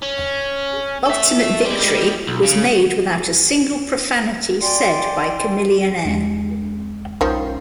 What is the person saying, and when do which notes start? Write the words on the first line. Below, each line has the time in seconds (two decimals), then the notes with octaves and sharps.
"Ultimate Victory" was made without a single profanity said by Chamillionaire.
0.02 C#4
1.06 A4 E5
1.64 G3 G#3
2.27 B1
2.43 C#3
4.61 D5 G5 G#5 C6
6.04 E2 G#3
7.21 B1 D#3 F3 C#4 C6